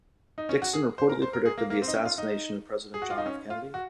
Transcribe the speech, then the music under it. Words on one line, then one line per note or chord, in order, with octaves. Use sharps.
Dixon reportedly predicted the assassination of President John F. Kennedy.
D#4
C#4
F#4
G#4
C5
A#4
C5
A#4
G#4
A#3
A#3
C4
D#4
C#4
F4
D#4
G#4
F#4
F4
D#4
C#4
F4
F#4